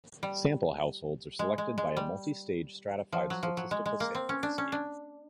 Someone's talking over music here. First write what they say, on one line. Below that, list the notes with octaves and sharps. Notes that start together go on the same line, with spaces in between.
Sample households are selected by a multistage stratified statistical sampling scheme.
G3
G#3
G#3
G#3
G3
F3
F#3
F3
F#3
G#3
G#3
A#3
C4
C#4
D4
C#4
D4